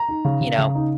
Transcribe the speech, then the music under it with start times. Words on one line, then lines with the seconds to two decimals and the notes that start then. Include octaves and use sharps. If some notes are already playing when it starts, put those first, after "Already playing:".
"you know,
Already playing: A#5
0.09 D#4
0.25 C#3
0.41 C#3
0.58 C#3
0.75 D#4